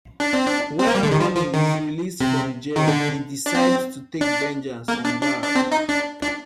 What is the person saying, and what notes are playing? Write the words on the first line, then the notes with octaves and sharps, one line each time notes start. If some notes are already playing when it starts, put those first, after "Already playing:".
When Ronnie is released from jail, he decides to take vengeance on Darryl.
D4
C4
D4
C4
A#3
G3
D3
D#3
F3
F3
D#3
C3
D#3
D3
D4
C4
D4
A#3
D4
D4
D4
C4
D#4
D4
D4